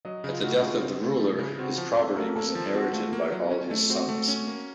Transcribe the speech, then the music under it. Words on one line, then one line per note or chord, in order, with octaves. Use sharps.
At the death of the ruler his property was inherited by all his sons.
F#3 D#5
C#3
F4
A3 F#4
C#3 F4
C4
A3
F3
C#3
C4 F#4
F3
C4 A4
A3 A#4
A#3 A4
F3
C4 F#4
A3 F4
A#3
F#3
C#4
A3
C4 F#4
A3
C#4
A#3